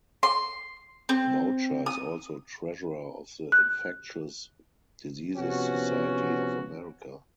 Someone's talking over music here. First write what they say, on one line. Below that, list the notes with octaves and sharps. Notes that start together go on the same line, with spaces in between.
Boucher is also treasurer of the Infectious Diseases Society of America.
C6
C4
D#6
F#6
C3 F3 B3 C#4 F#4